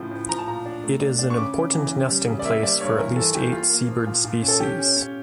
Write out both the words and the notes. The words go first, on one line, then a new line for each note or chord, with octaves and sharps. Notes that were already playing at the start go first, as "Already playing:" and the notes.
It is an important nesting place for at least eight seabird species.
Already playing: A2 C#3 F3
A2
F3 A#5
A5
A#2 A#5
D4
A3
D4
D4
C#6
C#3 D6
C#3
E3
C#3
G3
C#3
D5
A#3 E5
G3 D5
G2 C#5
E3 A#4
E3 A4
E3 G4
A#3 F4
A#3
F3
A#2
A#2
C#4
A4
C#4 G4
C#4
C#4